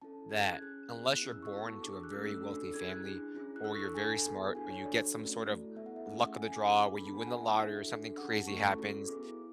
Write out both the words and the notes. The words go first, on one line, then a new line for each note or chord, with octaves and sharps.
that, unless you're born into a very wealthy family, or you're very smart, or you get some sort of luck of the draw where you win the lottery or something crazy happens,
C#4 E4 A4 A5
C#4 G#4 G#6
F#6
C#4 G#4 F#6
B3 E4 G#4 F#6
F#6
C#4 E4 G#4 F#6
E6
C#6
B3 F#4 A4 A5
C#6
D4 G#4 D6
E6
F#6
A3 C#4 F#4 A4 E6
E6
D4 A4
E6
C#4 E4 G#4 G#6
F#6
D4 G#4
C#4 E4 G#4
F#6
D4 A4 E6
C#6
A5
D4 A4 G#5
B3 E4 G#4
D4 F#4 A4 G#5
C#5
D4 F#4 A4 D5
D5
A3 C#4 F#4
A3 E4 A4
B3 E4 A4 E5
F#5
E5
A3 C#4 G#4 F#5
C#4 E4 A4 G#5
G#5
D6
C#4 G#4
B3 D4 A4 B5
A5
G#5
B3 E4 G#4 F#5
E5
D4 F#4 A4
D4 A4
C#4 G#4 F#5
A5
A3 C#4 E4 A4 C#6
C#4 F#4 A4
B3 E4 G#4 D6